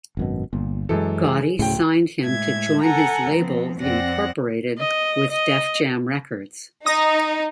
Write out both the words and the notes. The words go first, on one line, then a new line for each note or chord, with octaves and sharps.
Gotti signed him to join his label The Incorporated with Def Jam Records.
G#1 F#2 B2
G1 A#2
F#2 E3 G#3 A4
G#4
D1 A2 C#3 G5
A2 G#3 E5 G#6
A4 F#5 G#5 A#5
F3 B3 C4
F2 C4 D5 F#5 A#6
D#5
D#5
D#4 D#6 A#6